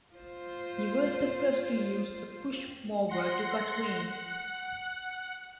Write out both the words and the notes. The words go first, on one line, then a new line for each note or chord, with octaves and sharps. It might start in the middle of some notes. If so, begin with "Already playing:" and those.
He was the first to use a push mower to cut greens.
F4 C5
F#5 C6 A#6 C#7
F#5 F#6 C#7